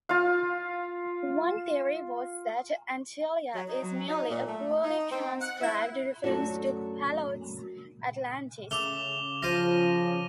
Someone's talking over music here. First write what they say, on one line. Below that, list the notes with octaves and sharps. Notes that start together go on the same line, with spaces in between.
One theory was that "Antillia" is merely a poorly-transcribed reference to Plato's "Atlantis".
F4 F5
F#3
D#4
F#3
D#4
A#2
A3
D#4
C4
F#5
E4
F#2 A3 D4 F#4
C#3 A3 D6 F7 G7
F3 F4 C5 A#6 D#7